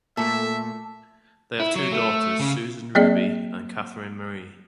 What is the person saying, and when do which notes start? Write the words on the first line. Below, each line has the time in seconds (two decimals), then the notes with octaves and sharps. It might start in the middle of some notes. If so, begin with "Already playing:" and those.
They have two daughters, Susan Ruby and Katherine Marie.
0.17 A#2 A3 A4 E5 A5
1.60 E4
1.76 F#3
1.92 A3
2.39 C#3
2.95 F#3 A#3 C4 G#4 D5 D#5